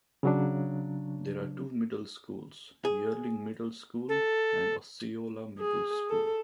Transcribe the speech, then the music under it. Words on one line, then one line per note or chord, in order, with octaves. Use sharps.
There are two middle schools: Yearling Middle School, and Osceola Middle School.
C#3 F#3 D4
G#4
A4
G#4
A4